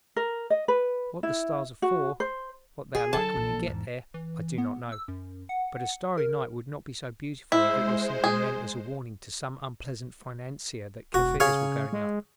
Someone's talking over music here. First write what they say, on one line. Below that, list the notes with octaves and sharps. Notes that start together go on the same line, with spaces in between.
What the stars are for, what they are like when you get there, I do not know; but a starry night would not be so beautiful if it were simply meant as a warning to some unpleasant financier that Kaffirs were going up.
A#4
D#5
B4
E4
F#4
C5
C#4 G#4
D3 F#3 A4 A5
A#1 E3
E2 G#2
E3
B3
E6
F#2
F#5
A#4
G#3 E4 C5
G#4
E1 F#4
C#3 G#4 C#5 F5
G#3